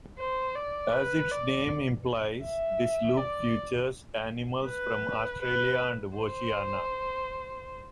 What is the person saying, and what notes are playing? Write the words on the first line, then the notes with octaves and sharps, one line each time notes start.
As its name implies, this loop features animals from Australia and Oceania.
C5
D5
B4
D5
E5
D5
B4
B4
C5